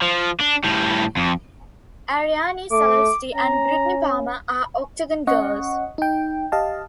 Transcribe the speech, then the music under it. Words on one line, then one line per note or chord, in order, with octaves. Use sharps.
Arianny Celeste and Brittney Palmer are Octagon girls.
F3
D4
A2 G3
F2
A3 D6
C#4 A#5
C#4 D#5 F#5 C#6
D#4 G5
G4 D#5 F5 A5